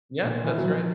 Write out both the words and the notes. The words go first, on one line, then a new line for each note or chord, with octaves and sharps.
Yeah, that's right.
A#2
E3
F#3
F3